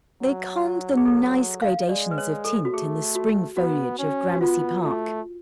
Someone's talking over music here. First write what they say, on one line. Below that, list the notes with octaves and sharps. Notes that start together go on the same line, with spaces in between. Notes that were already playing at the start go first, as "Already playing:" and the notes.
They conned the nice gradations of tint in the spring foliage of Gramercy Park.
F#3
G#4
A4
F5
G#3 D5
B4
C#5
A4
F#4
A3 G#4
F#4
B3 F#4
C#4
F#4
B3 F4
A3